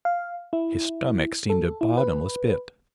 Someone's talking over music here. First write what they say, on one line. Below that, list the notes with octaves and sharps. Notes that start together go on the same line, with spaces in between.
His stomach seemed a bottomless pit.
F5
E4
A4
E4
B4